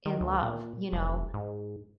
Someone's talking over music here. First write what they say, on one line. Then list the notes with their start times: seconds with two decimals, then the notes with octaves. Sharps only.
in love, you know?
0.06 D#3
0.21 D2
0.42 A#2
0.92 F1
1.34 G#2